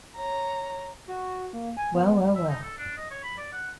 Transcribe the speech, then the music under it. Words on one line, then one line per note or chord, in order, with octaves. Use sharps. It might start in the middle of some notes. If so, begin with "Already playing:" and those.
Well, well, well!
C#5 A#5
F#4
A#3
G#5
B3
E5
D#4
A4
D4
D#5
C#5
B5
D5
F#5